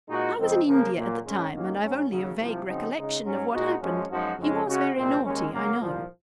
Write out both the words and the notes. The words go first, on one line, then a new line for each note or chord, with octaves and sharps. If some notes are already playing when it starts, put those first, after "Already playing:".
"I was in India at the time, and I've only a vague recollection of what happened; he was very naughty, I know."
A#2 G#3 D#4 F#4
F2 C#3 G#3 C4 D#4
C#3 F3 A#3
A#2 F#3 A#3
G#2 D#3 G#3 C#4
D#2 D#3 F#3 A#3 C#4
G#2 F#3 C#4
D#2 C#3 F#3
C2 C3 F3
C#3 F3 C4 D#4 F#4
C#3 G#3 D#4
G#2 F#3 C#4
A#2 G#3 D#4 F#4
F#2 F3 G#3 C#4
F#2 F3 G#3 D#4 F#4
F2 C#3 G#3 C#4
C#3 G#3 C#4 F#4
C2 A#2 G#3 C4
D#2 D#3 G#3 C#4
C#3 F#3 A#3
C2 A#2 F3